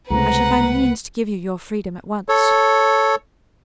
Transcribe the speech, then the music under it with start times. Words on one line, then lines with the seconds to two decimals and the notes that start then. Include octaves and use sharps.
"I shall find means to give you your freedom at once."
0.10 C#2 C3 G#3 A3 C4 B4 F#5 A#5
2.29 A4 C#5